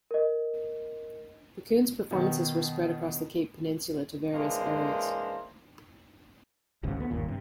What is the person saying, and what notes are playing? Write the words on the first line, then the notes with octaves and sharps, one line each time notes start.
The Coons performances were spread across the Cape Peninsula to various areas.
A#4 D#5
B2 D#3
E3 G#3 A#3 D4 C5
G#1 C#2 G#2 C#3
D2 B3
G1 D#2 A#2
G2 C3